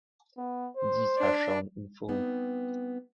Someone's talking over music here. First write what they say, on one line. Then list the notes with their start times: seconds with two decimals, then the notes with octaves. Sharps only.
These are shown in full.
0.38 B3
0.77 C5
1.18 D4
2.08 G3 B3 C4 D#4